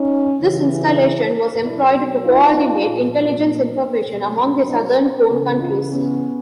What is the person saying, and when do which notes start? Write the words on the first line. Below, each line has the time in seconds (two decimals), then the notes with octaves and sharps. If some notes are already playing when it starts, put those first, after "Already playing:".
This installation was "employed to co-ordinate intelligence information among the southern cone countries".
Already playing: C#4 D#4
0.41 C#3 E3
1.63 B2 F#3 D4 E4
2.24 D#4 F4
2.85 A#2 F3
4.08 B2 F#3
4.69 D4 E4
4.99 C4 D4
5.30 C#3 E3 B3 C#4
5.60 D#4 F4
5.91 B3 C#4